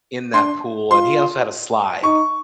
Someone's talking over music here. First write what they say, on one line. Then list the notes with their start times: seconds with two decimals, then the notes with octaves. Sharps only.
in that pool, and he also had a slide.
0.34 D4 C6
0.91 F4 C6
2.03 D#4 C#6